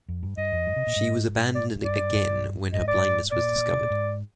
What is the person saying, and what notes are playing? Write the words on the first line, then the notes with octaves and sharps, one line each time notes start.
She was abandoned again when her blindness was discovered.
F2
G2
G2 D#5
F2
G2
C3
A#2
G#2
D5
G2 D5
G2
G#2 D#5
D5
A#2 D5
C3
A#2
G#2